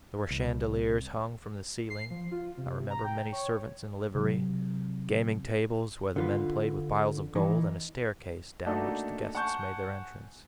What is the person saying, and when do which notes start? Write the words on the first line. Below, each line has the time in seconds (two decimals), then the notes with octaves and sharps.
There were chandeliers hung from the ceiling, I remember, many servants in livery, gaming-tables where the men played with piles of gold, and a staircase down which the guests made their entrance.
0.30 C2
1.90 C7
2.10 F3
2.31 F4
2.57 C3
2.90 A#5
3.04 G5
3.32 C#5
4.15 C3 F#3
6.16 D3 F4 B4
7.35 E3 D#4
8.66 A3 A#3 D4 D#4 F#4 A4
9.35 F#5 G#5 A5 C#6 G6